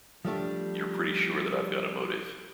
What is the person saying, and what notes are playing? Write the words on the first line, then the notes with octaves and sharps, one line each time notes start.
You're pretty sure that I've got a motive.
F3 G3 A3 D4